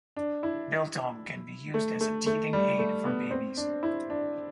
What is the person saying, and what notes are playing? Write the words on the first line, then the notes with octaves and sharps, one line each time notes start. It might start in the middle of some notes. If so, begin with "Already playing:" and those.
Biltong can be used as a teething aid for babies.
D4
E4
A3
A3
A3
G3
A3
B3
C4
D4
E4
D4